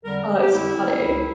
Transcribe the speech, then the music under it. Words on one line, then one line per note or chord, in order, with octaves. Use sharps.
Oh, that's funny.
F2 D3 G3 A#4
G4
F2 D3 G3 E4
C#2 B2 F#3